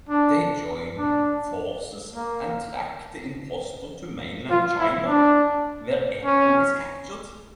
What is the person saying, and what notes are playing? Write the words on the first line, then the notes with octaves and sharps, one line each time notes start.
They join forces and track the impostor to mainland China, where Echo is captured.
D4
D4
A#3
F4
E4
D4
C#4